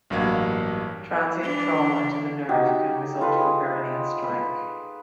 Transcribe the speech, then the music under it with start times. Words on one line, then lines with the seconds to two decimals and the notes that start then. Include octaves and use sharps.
Transient trauma to the nerve can result from peroneal strike.
0.10 A1 G2 F#3 A#3 F5 G#6
1.43 E3 D4
2.49 D#4 F#4 G4
2.66 G5
3.21 F4 A4 B4
3.41 G#4
4.23 B4